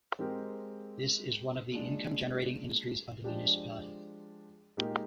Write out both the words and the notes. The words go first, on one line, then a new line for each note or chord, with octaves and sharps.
This is one of the income generating industries of the municipality.
G#3 C4 G4 A#4
A#2 G#3 D4
F3 G#3 D4 G4
A#2 G#3 D#4 G4 A#4